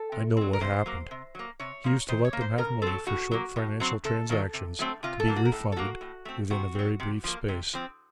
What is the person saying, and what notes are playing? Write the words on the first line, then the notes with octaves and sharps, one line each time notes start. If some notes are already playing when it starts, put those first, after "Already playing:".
I know what happened--he used to let them have money for short financial transactions--to be refunded within a very brief space.
Already playing: A4
C3
F#3 C4
A#4
C3 C5
F#3 A#3
C3
F#3 A#3
C3 C#5
F3 A#3
D#3 C5
C#5
A#3
C5
C#3 A#4
F#3 C4 A4
A2 F#4
F#3 A#3
A2
F#3 C4
C3 A4
D#3 F#3 A#3
C3
F#3 A3 C4
C3 F4
A4
F#3 A#3
F#4
A#4
A2 A4
A4
F#3 A#3 F#4
A2
A3 C4
C3 F#4
F#3 C4
C3
F3 A#3
C3
F3 C4